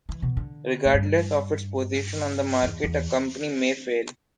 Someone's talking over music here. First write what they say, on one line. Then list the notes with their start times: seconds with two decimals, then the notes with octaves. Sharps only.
Regardless of its position on the market, a company may fail.
0.09 E3
0.22 B2
0.37 D3
0.85 A2
0.94 G2
2.63 E2
2.84 E2